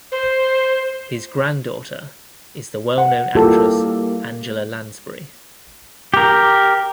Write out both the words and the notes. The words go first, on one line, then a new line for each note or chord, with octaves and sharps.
His granddaughter is the well-known actress Angela Lansbury.
C5
F#5
G3 A#3 E4 F4 G4 A4 A#4
G4 A#4